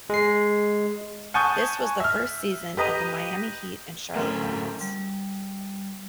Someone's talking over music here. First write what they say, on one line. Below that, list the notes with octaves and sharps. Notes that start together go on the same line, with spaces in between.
This was the first season of the Miami Heat and Charlotte Hornets.
G#3 C7
F#5 G#5 A5 C#6 D#6 G6
E5 F6
G4 B4 D#5 A#5
D2 A2 C#4 A#4 G5 A#5 C6
G3